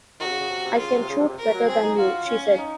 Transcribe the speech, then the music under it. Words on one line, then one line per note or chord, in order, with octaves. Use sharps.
"I can shoot better than you," she said.
D#3 F#4
C3
C#3
C#3
C3
C3
C#3 F4
C3
C#3
C3
C3
A#4
F#3
C4 G#4
D#4
F4 F#4
C#4
D#4